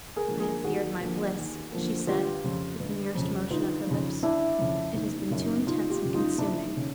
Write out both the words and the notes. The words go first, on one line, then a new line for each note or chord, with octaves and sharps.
"I have feared my bliss," she said, with the merest motion of her lips. "It has been too intense and consuming."
G#4 A#4
D3 F3 A#3
G#4 A#4
D#2 F#4 G#4
D3 F3 A#3
D#2
D3 F3 A#3
G1 F4 G4
F2 C#3
G1
F2 C#3
G1 D#4 F4
F2 C#3
G1 D4 E4
F2 C#3
F#1 D#4
D#4
F#2 C#3
D#4
F#1 D#4 F4
F4 G4
F#2 C#3
D#4 F4
F#1 D4 E4
D#4
C#3